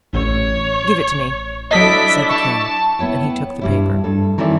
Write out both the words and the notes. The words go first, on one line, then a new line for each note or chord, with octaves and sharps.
"Give it to me," said the king; and he took the paper.
A1 C#5
F#3 D4 E4 A4 D#5 B6 D7
A5 C#6
B3 E4 C#5 G5
G2 G3 E4
G2 A4
D#3 E3 C4 E4 A4 D5